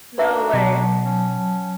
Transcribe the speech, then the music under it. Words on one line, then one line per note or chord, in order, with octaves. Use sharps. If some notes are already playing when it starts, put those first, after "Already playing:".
No way.
D4 D#4 F#4 B4 E5
B2 F#3 A5
C#4